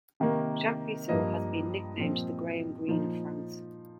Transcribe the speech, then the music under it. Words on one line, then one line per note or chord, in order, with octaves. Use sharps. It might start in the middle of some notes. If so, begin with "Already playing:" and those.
Japrisot has been nicknamed "the Graham Greene of France".
C3 D#3 A#3
G2 F3 A#3 D#5
A#2 F3 C4
A#2 F3 D#4